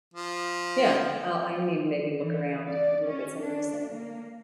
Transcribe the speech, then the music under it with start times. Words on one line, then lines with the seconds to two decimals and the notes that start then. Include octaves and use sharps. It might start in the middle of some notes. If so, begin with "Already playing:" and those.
yeah, I I need to maybe look around, look at some of these things.
0.14 F3
2.19 E3
2.69 D5
3.04 C#4
3.41 D4
3.91 A#3